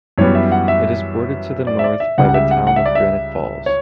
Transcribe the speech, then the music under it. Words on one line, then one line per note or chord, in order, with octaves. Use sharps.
It is bordered to the north by the town of Granite Falls.
F#2 E3 G3 B3 C#5
E5
F#5
E5
D5
E5
D5
E5
C#2 C#3 G3 F#5
F#5
E5
F#5
F#5
E5
D5
E5
C#5